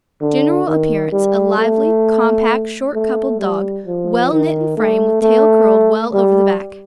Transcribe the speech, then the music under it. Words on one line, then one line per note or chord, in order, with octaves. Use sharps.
GENERAL APPEARANCE--A lively, compact, short coupled dog, well-knit in frame, with tail curled well over the back.
D3
D#3
G3
A3
A3
G3
F3
D#3
A3
A3
G3